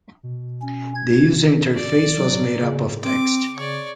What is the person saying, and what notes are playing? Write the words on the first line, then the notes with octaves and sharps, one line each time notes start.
The user interface was made up of text.
B2
C#4
G#6
D5
F#3
C#3
C4 D6
C#3 C#5 D5